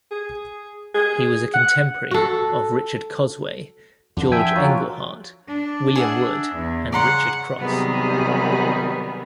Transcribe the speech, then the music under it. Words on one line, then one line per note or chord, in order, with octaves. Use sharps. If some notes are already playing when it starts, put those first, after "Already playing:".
He was a contemporary of Richard Cosway, George Engleheart, William Wood and Richard Crosse.
G#4
G#4
F#5
F#4 A4
F2 D3 E3
F3 E5 G5 G#5
F#3 F4 F#4 A#4
D4
G#4 E5 F#5
E2
C#3 D5 F#5 A#5 C6
C3 D#3 F#3 G3 B3 G#4